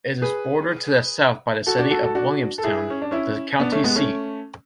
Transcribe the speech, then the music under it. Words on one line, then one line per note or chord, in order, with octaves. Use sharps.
It is bordered to the south by the city of Williamstown, the county seat.
G#4 B4
F#4 A4
D4 F#4
F#4 A4
F#4 A4
D4 F#4
A4
E4 G#4
C#4
D4
C#4 E4
B3 D4
A3 C#4
G#3 B3
A3 C#4